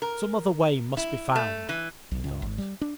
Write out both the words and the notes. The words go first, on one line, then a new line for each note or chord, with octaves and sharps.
"Some other way must be found," he thought.
A#4
E4
A3
E3
B1
C#2
G#1
G3
D4